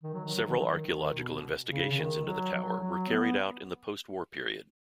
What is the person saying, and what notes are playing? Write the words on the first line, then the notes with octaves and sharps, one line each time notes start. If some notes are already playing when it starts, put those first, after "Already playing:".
Several archaeological investigations into the tower were carried out in the post war period.
D#3
F#3
D#3
F#3
D#3
F#3
D#3
D#3
B2
C#3
C#3
D#3
F#3
F#3
F#3
B3